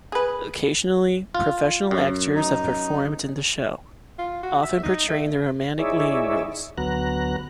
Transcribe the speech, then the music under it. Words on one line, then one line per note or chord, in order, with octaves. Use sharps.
Occasionally, professional actors have performed in the show, often portraying the romantic leading roles.
G#4 B4
F4
F#2
D#4
F4
F#4
E5
D#4
A3
D#4 E4 G#4 C#5 D5 E5
D2 F#3 B3 A#5 F#6